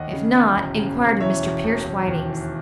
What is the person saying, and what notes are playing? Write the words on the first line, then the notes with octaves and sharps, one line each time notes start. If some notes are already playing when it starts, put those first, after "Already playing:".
If not, inquire to Mr. Pierce Whiting's.
Already playing: D#2 D#5 F#5
C#3
E3
E1
C#3
E1
E3 C#5 E5
E1
E1
E1
D#2
E3